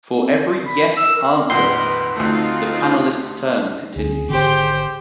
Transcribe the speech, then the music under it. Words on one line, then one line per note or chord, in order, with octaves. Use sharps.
For every "yes" answer, the panelist's turn continues.
C4
B5
E6
A#4
A#1 F2 D#3 A#4 B4 F#5 C6
D2 A3 C4 D#4 F4
D2 G#4
G#1 D3 D#3 G4 C5